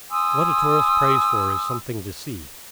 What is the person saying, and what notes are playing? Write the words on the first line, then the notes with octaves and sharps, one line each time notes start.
What a tourist prays for is something to see.
G#5 C6 D#6 E6